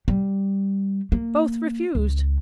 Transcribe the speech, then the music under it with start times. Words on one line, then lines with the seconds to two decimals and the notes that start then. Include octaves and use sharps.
Both refused.
0.08 G3
1.12 A#3
1.95 C#2